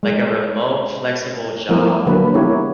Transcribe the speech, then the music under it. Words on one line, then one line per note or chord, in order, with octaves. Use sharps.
like, a remote flexible job,
G#3
F3 G3 A3 B3 E4 A#4
D3 F#3 A#3 B4
G#3 B3 E4 G4 A#4 C#5